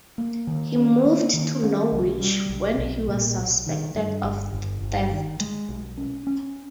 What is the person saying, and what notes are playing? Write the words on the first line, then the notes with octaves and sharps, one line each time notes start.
He moved to Norwich when he was suspected of theft.
A#3
D#3
C#4
A#3
D#3
C#4
B1
G3
B1
B1
A#2
B1
D#3
G2
G1
G1
G1
D#3
G#3
B1
C#4
C#4